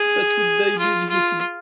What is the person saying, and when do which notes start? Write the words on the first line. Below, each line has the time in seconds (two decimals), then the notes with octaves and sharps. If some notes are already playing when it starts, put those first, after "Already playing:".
But would they be visited?
Already playing: G#4
0.78 F4
1.09 F4